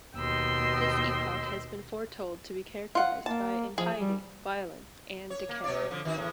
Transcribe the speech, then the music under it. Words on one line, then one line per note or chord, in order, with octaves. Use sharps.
This epoch has been foretold to be characterized by impiety, violence, and decay.
D#2 B2 D#5 G5 C6 E6
F4 F#5
A#3 A5
F3 G#4
G3
C#5
A#3
B2 C#5 D5
D3 F3
D#3 F#4
E2 A2